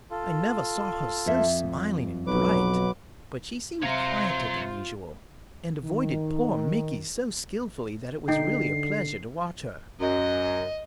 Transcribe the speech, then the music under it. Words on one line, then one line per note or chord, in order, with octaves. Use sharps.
I never saw her so smiling and bright; but she seemed quieter than usual, and avoided poor Micky so skilfully that it was really a pleasure to watch her.
F4 A4
F2 E5
B1 F#3 B4 D6
C3 F4 C5 C#5 E5 A#5
D#3
D3 D#4 G5 C7
F#2 D#5